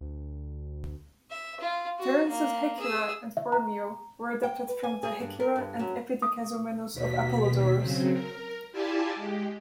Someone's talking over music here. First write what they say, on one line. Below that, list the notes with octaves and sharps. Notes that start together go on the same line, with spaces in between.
Terence's "Hecyra" and "Phormio" were adapted from the "Hekyra" and "Epidikazomenos" of Apollodorus.
D2
E5
F4
F#4
A#3
G#4 E6
E5
A#5
G5
B4
G#5
G#4
G2
A#4
G2
F#2
D#6
D#2 B2 B6
C#3 F#3 C4
A#4
E4 F4 G4 D5 G#5 A5
G#3 G4